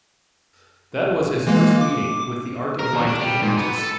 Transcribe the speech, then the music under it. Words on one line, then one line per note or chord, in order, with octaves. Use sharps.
That was his first meeting with the art of light and images.
E3 G#3 A#3
D6
A#4
D#2
D4
G3
G#2
B3
A4